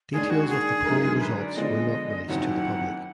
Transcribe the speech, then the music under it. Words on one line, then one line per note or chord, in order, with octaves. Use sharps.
Details of the poll results were not released to the public.
D#2 D#3 G#3 D4 G#4
F#4
G#4
F#2 D3 G#3 D#4 A#4
B4
D5
D3 F3 G#3 B3 D4 D#5
F#1 F2 D#3 F#3 F#5